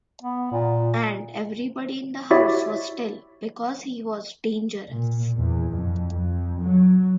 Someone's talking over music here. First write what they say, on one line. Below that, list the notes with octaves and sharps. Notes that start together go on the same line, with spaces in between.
And everybody in the house was still, because he was dangerous.
B3
A#2
E4 F#4 G4 C#5 D5 E5
A#2
E2
F2
F2
F#3